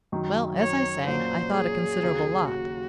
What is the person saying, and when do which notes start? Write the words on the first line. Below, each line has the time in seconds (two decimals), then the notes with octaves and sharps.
Well, as I say, I thought a considerable lot.
0.12 F#2 D#3 F#3
0.60 C#5
1.07 A#2 F#3 A#3 C#4 F#4 C5
1.54 G#4
2.03 D#2 C#3 F#3 A#3
2.50 F#4